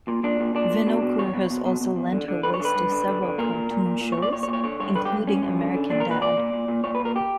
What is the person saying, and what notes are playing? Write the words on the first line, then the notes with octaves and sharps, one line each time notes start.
Winokur has also lent her voice to several cartoon shows, including American Dad!
A#2
A#2 D4
A#2
A#2 D4
A#2
B2
B2
E2 C#5
B2
B2
B2
B2
E2
D3
D3
D3 B4
C#5
D3 B4
G2
D3
D3
D3
A#2 A#4
A#2
A#2
A#2
A#2
C#5
A#2 D5
A#2 C#5
C#5
A#2
C#5
D3 C#5
G2 C#5
D3 B4
G4
G2
G2 C#4
G2
D3
D3
A#2 D4
A#4
A#2 B4
A#2 D5
A#2
A#2
A#2
A#2 C#5
B4
A#2
A#4
G4